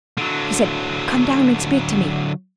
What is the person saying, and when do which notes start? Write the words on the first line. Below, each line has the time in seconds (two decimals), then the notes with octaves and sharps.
He said, 'Come down and speak to me!
0.17 D3 F#3